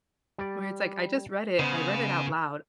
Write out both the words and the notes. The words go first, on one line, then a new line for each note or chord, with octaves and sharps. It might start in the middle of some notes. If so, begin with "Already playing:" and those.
where it's like, I just read it, I read it out loud,
G3 D5
C#3 B3 C5 F5